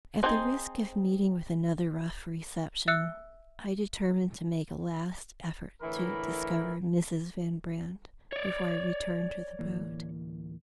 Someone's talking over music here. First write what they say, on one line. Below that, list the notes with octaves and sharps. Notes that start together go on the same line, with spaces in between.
At the risk of meeting with another rough reception, I determined to make a last effort to discover Mrs. Van Brandt before I returned to the boat.
C4 D4 D#4 G#4 C5
E5 E6 F#6 C#7
A2 D3 E3 E4 A#4 B5
C#5 D5
D1 E3 A#3